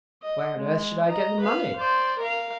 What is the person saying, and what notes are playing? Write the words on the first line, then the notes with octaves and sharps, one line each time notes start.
"Where on earth should I get the money?"
D#5
G#3
D#5 A#5
B4 F5
C5 D5
A#4 F5